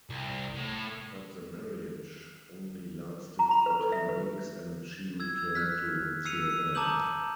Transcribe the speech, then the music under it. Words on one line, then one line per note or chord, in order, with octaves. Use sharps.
But the marriage only lasted for ten weeks and she returned to Tehran.
C2
A2
A#5
B5
B4
A4
E5
B4
E6 G#6
F6 F#6 G#6 B6
E6 C7 C#7 D#7 F7
A5 A#5 D6 D#6 G6 F#7